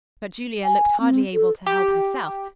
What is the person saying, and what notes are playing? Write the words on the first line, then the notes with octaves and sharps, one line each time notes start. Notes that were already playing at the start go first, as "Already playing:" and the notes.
But Julia looked hardly able to help herself.
G#5
C4
A4
G4